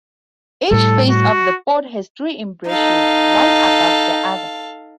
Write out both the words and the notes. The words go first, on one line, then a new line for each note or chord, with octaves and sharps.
Each face of the fort has three embrasures, one above the other.
A2 G3 A4
F#4
D#4 A4 F5